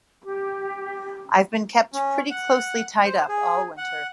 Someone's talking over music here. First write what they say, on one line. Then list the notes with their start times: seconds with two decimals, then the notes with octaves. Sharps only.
I've been kept pretty closely tied up all winter.
0.23 G4
1.93 C#4
2.31 F#5
3.05 C5
3.29 G#4
3.78 F#5